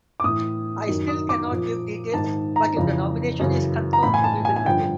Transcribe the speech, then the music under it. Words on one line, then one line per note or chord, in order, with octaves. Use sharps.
I still cannot give details, but, if the nomination is confirmed, we will reveal.
D6
A2 E3 D#6
F#2 D#3
D#6
D6
A#2 F3
G#2 D#3 A5
A#5
F2 C#3 E3
F#2 C#3 E3
A#5
A2 E3 B5
G#5
A5
G#5
G#5
G2 D3 F3 G5